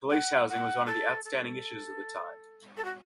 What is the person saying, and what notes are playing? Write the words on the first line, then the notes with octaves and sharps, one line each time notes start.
Police housing was one of the outstanding issues of the time.
F#5
F#5
A4
A4
A4
F#4